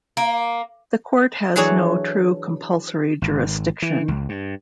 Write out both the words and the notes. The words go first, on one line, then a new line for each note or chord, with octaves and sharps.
The court has no true compulsory jurisdiction.
A#3
E3 F#3 D4 G#4 A4 C#5
G#1
E3
C#2
G2